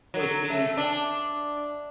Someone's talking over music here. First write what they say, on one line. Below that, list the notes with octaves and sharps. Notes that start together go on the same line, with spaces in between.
Which means,
F#3
A3
D4